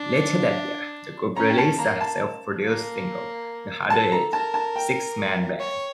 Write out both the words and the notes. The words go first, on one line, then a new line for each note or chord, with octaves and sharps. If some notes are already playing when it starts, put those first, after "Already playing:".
Later that year, the group released a self-produced single, the harder-edged "Six Man Band".
Already playing: D4
C#4 A#5
G5
A5
A#3 A#5
A5
A#3
A4 A5
A#5
A#4 A5
A5
G5
C#5